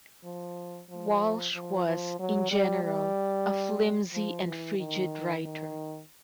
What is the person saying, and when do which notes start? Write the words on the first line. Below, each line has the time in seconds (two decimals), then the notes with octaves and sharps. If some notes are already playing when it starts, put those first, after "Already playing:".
Walsh was in general a flimzy and frigid writer.
0.24 F3
0.89 F3
1.54 F3
1.87 F3
2.19 F#3
2.51 G3
2.83 G3
4.13 F3
4.46 E3
4.78 D#3
5.44 D#3